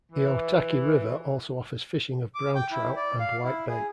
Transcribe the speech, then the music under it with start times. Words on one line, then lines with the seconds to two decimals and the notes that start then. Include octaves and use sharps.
The Otaki River also offers fishing of brown trout and white bait.
0.12 E3
2.35 D6
2.55 G5
2.72 E4
2.96 D5
3.19 F5
3.44 E4
3.69 G#4